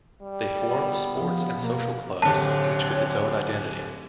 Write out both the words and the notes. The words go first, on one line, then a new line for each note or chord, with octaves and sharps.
They formed sports and social clubs each with its own identity.
G3
B3
F3
B2 A#3
D1 D3 C4 G4 C#5 A5